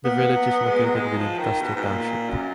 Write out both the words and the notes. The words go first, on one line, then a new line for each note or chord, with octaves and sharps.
The village is located within Custer Township.
A#3 B3
F#3
G#3
F#3
G#3
F3
D#3
B2
G#2
A#2
F#2